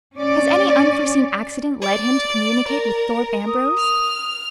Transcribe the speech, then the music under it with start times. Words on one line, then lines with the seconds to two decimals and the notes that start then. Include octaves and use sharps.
Has any unforeseen accident led him to communicate with Thorpe Ambrose?
0.16 C#4 D5
1.82 D5
2.68 A#4
3.48 D#6
3.78 F6